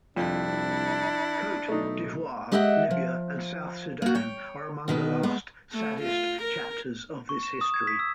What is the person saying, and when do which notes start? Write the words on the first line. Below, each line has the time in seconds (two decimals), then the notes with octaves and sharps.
Côte d'Ivoire, Libya and South Sudan are among the last saddest chapters of this history.
0.16 C2 F2 D4 E4
1.68 B1 A3 D#4
2.52 G#3 G4 D#5 E5 F#5
2.91 F3
4.02 A#3 F#4
4.15 C#5 G5
4.88 B2 D#3 B3 B4
5.23 G#3 B3
5.73 A3
6.02 F4
6.42 A#4
7.29 C#6
7.43 E7
7.61 D#6
7.74 G#6
7.87 B6
7.99 E6